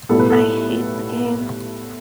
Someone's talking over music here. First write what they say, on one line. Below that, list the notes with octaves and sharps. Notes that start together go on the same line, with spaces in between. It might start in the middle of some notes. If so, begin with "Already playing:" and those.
I hate the game.
B1 A2 G3 B3 A4
B4
A4